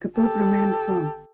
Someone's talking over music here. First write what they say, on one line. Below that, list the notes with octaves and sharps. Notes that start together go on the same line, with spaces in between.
The Pope remained firm.
G4 A4